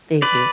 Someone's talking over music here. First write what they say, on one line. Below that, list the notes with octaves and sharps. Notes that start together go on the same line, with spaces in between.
thank you.
B4 D5